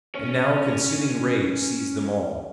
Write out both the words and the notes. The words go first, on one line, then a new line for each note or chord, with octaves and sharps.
And now a consuming rage seized them all.
C#4 C#5